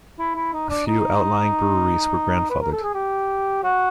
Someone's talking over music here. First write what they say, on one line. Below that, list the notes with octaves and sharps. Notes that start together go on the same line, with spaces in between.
A few outlying breweries were grandfathered.
E4
E4
D#4
D4
D#4
B4
A#4
A4
G#4
G4
F#4